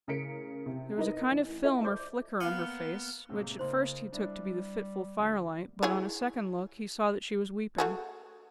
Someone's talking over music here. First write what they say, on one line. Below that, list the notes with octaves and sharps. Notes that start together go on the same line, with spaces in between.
There was a kind of film or flicker on her face, which at first he took to be the fitful firelight; but, on a second look, he saw that she was weeping.
A2 C#3 A#4 B6 C#7 D7
C3
E3 D#4 A#4 B4 D#5
A1
E4 F4 A4 D#5 E5
C5 D5 D6 G6
A#3 B3 F5 F#5 G#5 F6
A2 C3 G#3 A#3
C#3 A#3 D#4 C5 C6
G3 D4 E4
D2
E4 G#4 C#5
A3 F#4 G#4